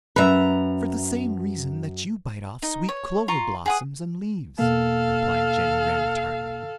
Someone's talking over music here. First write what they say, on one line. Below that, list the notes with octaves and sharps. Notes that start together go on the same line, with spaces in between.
"For the same reason that you bite off sweet clover blossoms and leaves," replied Jenny Wren tartly.
F#2 B4 E5 A#5
D#4
C#5
F4 A#5 C6 C#6
G#4 F#5 D#6
E2 B2 A#3 A4 F5